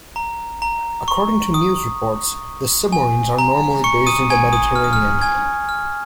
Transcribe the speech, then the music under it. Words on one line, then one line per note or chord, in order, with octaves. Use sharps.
According to news reports the submarines are normally based in the Mediterranean.
A#5
A#5
C#6
D#6
G#5
A#5
C#6 C#7
D#6 D#7
G#5 G#6
D#6
F6
D#6
F6
G#5 G#6
F6